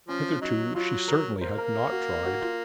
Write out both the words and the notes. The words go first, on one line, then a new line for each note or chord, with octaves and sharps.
Hitherto she certainly had not tried.
F3 C#4
F#3 D#4
F#3 F4
A#4
A#3 C5
A#4
F#4
F#4
F4